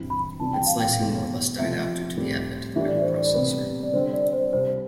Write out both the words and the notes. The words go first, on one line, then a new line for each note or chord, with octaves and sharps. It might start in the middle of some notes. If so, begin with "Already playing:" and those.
Bit slicing more or less died out due to the advent of the microprocessor.
Already playing: G2 E3 G3 C4 E4
B5
C3 E3 G3 A5
G5
F5
G5
E2 B2 A3 E4
C3 F3 A3 C4 E5
A2 G3 C4 G4
A2 E3 G3 D4 G4 E5
D5
C5
D5
C3 G3 B3
D5
D3 G3 C4 C5
D5
C5
C2 C3 G3 C5